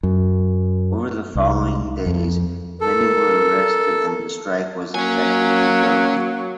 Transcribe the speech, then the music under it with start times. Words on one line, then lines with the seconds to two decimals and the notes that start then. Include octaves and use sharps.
Over the following days, many were arrested and the strike was effectively broken.
0.03 F#2
1.35 C2
2.06 F2
2.81 A4 A#4
4.95 F#3 A#3 C#4 G#5